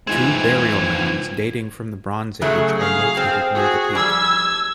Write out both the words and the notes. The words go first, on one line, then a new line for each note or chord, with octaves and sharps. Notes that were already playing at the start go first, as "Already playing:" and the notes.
Two burial mounds dating from the Bronze Age are located near the peak.
E3 G#3 C4 D#4 F4 G#6
C#3 F#3 A3 G#4
G#4 F5
C4
F#4 G#4
F2 G3 E6 G#6